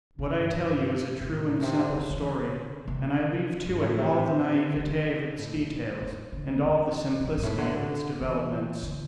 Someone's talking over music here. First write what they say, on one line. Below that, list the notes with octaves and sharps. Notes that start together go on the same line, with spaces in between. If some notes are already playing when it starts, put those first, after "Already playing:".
What I tell you is a true and simple story, and I leave to it all the naivete of its details and all the simplicity of its developments.
C3
A2
G2
C3
A2
C3
D3
D3
E3
D3
C3
G2
A2
C3
D3
E3
D3
A2
E2
G2
D3
D3
E2
G2
G2
A2
D3
E3
D3